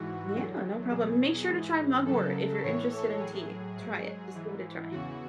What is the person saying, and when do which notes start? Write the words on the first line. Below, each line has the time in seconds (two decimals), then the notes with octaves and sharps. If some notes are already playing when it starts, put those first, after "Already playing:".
Yeah, no problem. Make sure to try mugwort if you're interested in tea, try it, just give it a try.
Already playing: G#2 E3 F#4
0.33 E2 D3 F#3
0.90 E2 B2 F#3 G#4
1.48 G#2 E3
2.05 F#2 C#3 F#3 A4
2.63 A2 E3 C#5
2.91 A4
3.19 A2 F#3 G#4
3.77 G#2 F#3
4.35 G#2 E3
4.91 E2 C#3 E3 F#4